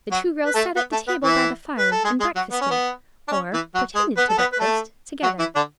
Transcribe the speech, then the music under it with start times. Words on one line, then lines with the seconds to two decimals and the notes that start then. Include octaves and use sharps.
The two girls sat at the table by the fire, and breakfasted, or pretended to breakfast, together.
0.11 F#3 F#4
0.45 B4
0.54 A3 A4
0.76 B3 B4
0.92 A3 A4
1.08 B3 B4
1.24 E3 E4
1.78 B4
1.91 A4
2.04 G#3 G#4
2.20 G#3 G#4
2.35 F#3 F#4
2.52 B3
2.61 C#4
2.71 B3
3.28 D4
3.32 C#4
3.53 E3 E4
3.75 F#3 F#4
3.95 G#3 G#4
4.17 B3 B4
4.29 A4
4.38 B3 B4
4.53 B4
4.59 A3 A4
5.23 F#3 F#4
5.39 E3 E4
5.55 D3 D4